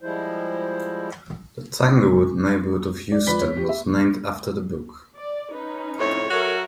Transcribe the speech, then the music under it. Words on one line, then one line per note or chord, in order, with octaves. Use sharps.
The Tanglewood neighborhood of Houston was named after the book.
F3 G3 G#3 E4 C5
D5
F2 B4 D5 B5 B6 G7
C#5
G4
E5
D5
C#4 D#4 B4
F2 A2 C#5
F#3 F#4 A4 A#4 E5